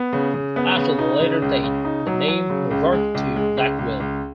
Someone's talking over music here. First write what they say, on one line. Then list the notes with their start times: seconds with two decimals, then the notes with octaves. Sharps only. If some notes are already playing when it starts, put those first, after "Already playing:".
After the latter date, the name reverted to Blackwell.
Already playing: B3
0.13 C#3
0.34 C#3
0.56 B3
0.77 C#3
0.99 D#4
1.20 C#3
1.42 C#2
1.64 C#3
1.85 D#4
2.07 F#3
2.28 F#3
2.50 C#3
2.71 C#2
2.92 G#3
3.14 C#2
3.36 G#3
3.57 C#2
3.78 C#2
4.00 C#2